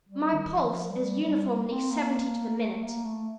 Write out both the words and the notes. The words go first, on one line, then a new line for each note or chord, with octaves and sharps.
My pulse is uniformly seventy to the minute.
G3
D#3
F3
G3
G3
C4
A#3
A3
A#3
A3